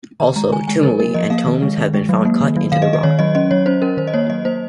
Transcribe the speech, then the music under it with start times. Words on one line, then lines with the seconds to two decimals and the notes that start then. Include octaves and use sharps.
Also, "tumuli" and tombs have been found cut into the rock.
0.20 D#3 A#5
0.36 G#3 A#5
0.52 D#3 G#5
0.68 G#3 G#5
0.83 F#3 A#4
0.99 A#3 A#4
1.14 F3 D#5
1.30 A#3 F5
1.46 D#3
1.62 G#3
1.78 D#3
1.93 G#3
2.09 F#3
2.25 A#3
2.41 D#3
2.56 F#3
2.72 D#3 F5
2.82 D#5
2.87 G#3
2.93 D#5
3.03 D#3 C#5
3.19 F#3 D#5
3.35 C#4 D#5
3.51 F#3 C#5
3.66 C#4 C5
3.82 C#4 A#4
3.97 D#3 C5
4.07 D#5
4.14 A#3 C#5
4.29 F#3 D#5
4.45 A#3 C5